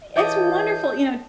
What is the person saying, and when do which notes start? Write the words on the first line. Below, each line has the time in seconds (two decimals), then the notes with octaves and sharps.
It's wonderful, you know,
0.16 E3 C#5 D#5 A5 D6 D#6 G6